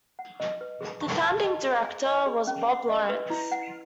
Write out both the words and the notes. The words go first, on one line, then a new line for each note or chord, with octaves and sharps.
The founding director was Bob Lawrence.
F#5
D#5
B4
G#4
C#6
A5
D#5
G#4
G#5
D#5
G#4
C#4
F#5
D#5
B4
E4
F#5